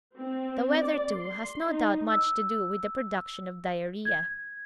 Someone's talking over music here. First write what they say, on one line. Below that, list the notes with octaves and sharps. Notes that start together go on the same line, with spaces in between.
The weather, too, has no doubt much to do with the production of diarrhoea.
C4
D5
C6
D#4
E6
G#6